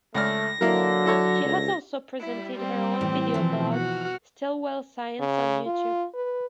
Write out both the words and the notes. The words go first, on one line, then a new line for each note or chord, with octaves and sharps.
She has also presented her own video blog, "Stillwell Science", on YouTube.
C#2 A3 D5 F6 A#6
D3 F#3 A#3 E4 A#4
E4 A4 C#5
C#2
G3 E4
C4
A2 E3
B2 E3 F3
F#4 F6
C#3
F4
B4